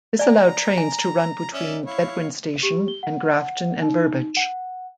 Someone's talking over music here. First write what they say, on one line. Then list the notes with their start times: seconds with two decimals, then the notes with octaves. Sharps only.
This allowed trains to run between Bedwyn station and Grafton and Burbage.
0.19 D5 G#5 A#5
0.78 G#5
1.53 C#4 D5 E5
1.86 E4 C#5 F5
2.63 G4
2.88 G7
3.03 F#5
3.36 F#5
3.82 D#4
4.37 F#5